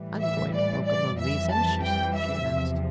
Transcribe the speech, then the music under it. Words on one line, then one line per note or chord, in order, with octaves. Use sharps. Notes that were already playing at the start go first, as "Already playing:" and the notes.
"I'm going to poke among these ashes," she announced.
Already playing: A2 E3 G3
E5
D5
D5
F2 E3 G3 E5
A5
G5
E5
E2 C3 F3